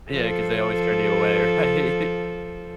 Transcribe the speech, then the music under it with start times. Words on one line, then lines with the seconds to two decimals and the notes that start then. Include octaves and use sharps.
yeah, cause they always turn you away, right?
0.11 F3 A4